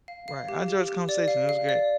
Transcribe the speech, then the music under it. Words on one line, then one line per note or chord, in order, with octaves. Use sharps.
Right. I enjoyed this conversation, it was great.
F5
F5
G4
G4
G4
D5
F5
F5
D5